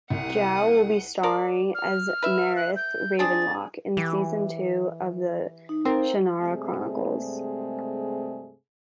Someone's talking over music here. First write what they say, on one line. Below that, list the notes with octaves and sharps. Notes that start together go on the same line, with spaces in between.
Jow will be starring as Mareth Ravenlock in Season two of The Shannara Chronicles.
C2 F#5 D#6
A#4 D5
F6
B4 E5
F#6
G6
C4 D4 G#4 A6
E3 G4
D#4
C4 F4 A#4
G2 C3 G#3 A3 C4 G#4